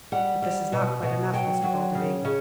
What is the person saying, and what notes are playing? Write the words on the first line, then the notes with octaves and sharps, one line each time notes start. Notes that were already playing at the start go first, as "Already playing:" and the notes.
But this is not quite enough, Mr. Balderby.
G3 F#5
G3
B2
B2
F#3 G5
F#3
C#3
C#3